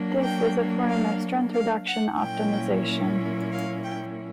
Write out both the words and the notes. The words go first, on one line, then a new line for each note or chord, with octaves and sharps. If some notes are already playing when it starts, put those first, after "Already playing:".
This is a form of strength reduction optimization.
Already playing: F#3 A#3 D4
G5
F5
F5
F#5
A#2 F#3 A#3 C#4 E4 G5
F5
G5